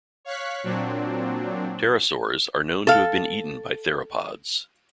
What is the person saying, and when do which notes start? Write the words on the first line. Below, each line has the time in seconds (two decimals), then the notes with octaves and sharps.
Pterosaurs are known to have been eaten by theropods.
0.25 C#5 F5 C#6 F#6 B6
0.63 A#2 F#3 C4 D4
2.87 A4 F5